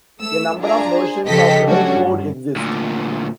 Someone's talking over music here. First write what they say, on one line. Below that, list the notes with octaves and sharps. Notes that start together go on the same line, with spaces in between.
A number of versions of Redcode exist.
A3 E6
D4 F4 G#4 A#5
G#4 C5
C#3 F3 G4 A4 D#5 B6
F#3 G3 A3 C#4 D4 F#4
G2
D2 A#2